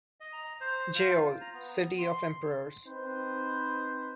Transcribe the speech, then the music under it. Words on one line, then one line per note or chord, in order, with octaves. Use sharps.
"Jehol: City of Emperors".
D#5
A#5
C5
F4
A#5
B3
C6
C4 D#4 B4 C5